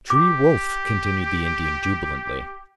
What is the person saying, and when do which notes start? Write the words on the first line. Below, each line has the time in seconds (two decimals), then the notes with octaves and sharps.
"T'ree wolf!" continued the Indian jubilantly.
0.10 G4 D6